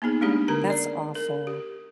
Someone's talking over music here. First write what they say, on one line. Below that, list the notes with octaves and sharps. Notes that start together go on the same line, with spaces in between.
That's awful.
A#3 B3 D#4 G#4
G#3 A3 C#4 D4 G4 G#4
D3 G4 A#4 A#5
D5
A#4
G4